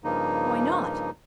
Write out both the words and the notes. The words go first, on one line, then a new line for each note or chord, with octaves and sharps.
Why not?
G2 C#3 F3 A#3 D#4